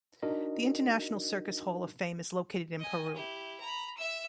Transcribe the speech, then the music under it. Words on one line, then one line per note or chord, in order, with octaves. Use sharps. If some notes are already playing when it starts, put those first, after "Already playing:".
The International Circus Hall of Fame is located in Peru.
D4 D#4 F#4 A#4 D#5
D#5 G#5
E4 G4
A#5 B5
E5 E6